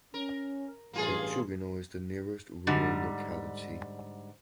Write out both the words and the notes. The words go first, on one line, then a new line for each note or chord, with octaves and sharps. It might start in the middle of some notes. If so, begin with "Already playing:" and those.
Kolchugino is the nearest rural locality.
C#4 A#4
A1 G2 A#3 F4 G#4
G#2 D3 G3